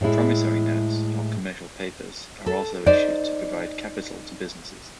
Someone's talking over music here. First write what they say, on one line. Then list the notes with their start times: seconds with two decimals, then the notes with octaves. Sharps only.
Promissory notes, or commercial papers, are also issued to provide capital to businesses.
0.01 A2 G#3 E4
2.46 A4
2.86 D#4 C5 D5